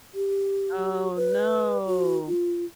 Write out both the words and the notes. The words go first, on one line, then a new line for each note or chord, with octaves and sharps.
Oh, no.
G4
B4
F#4
F4